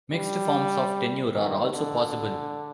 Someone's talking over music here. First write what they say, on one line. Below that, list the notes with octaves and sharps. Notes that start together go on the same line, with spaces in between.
Mixed forms of tenure are also possible.
G3
D#3
D3